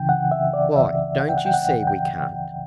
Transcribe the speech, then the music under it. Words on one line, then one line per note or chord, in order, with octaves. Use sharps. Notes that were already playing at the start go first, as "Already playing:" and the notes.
"Why, don't you see we can't?"
Already playing: C#2 C#3 E3 G5
F#5
E5
D5
C#2 C#3 E3 E5
F#5
G5
F#5
G5
F#5
C#2 C#3 E3
G5